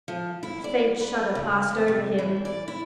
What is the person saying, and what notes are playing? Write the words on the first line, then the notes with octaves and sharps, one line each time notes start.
A faint shudder passed over him.
F3
E4
D5
B4
C#3
F2
C3
E3
D5
E4